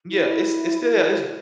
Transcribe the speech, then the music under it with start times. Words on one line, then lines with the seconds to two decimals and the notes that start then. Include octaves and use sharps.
Yeah, it's it's still it's
0.09 E4